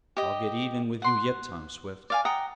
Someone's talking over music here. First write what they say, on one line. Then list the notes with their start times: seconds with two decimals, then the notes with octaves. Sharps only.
"I'll get even with you yet, Tom Swift!"
0.17 G4 D#5
1.02 F#5 C6
2.10 D5 F5 G#5
2.25 F#5 G5 A#5 D#6